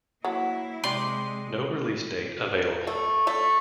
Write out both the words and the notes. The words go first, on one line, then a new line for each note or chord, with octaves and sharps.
No release date available.
F#3 A#3 E4
C3 G#3 G4 D5 C6
A3
A3